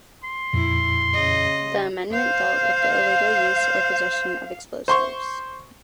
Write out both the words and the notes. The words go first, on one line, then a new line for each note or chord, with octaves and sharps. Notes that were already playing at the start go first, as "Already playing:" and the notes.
The amendment dealt with the illegal use or possession of explosives.
C6
F2 A#2 E4
C#3 D#5
C5 F5
C5 C6 C#6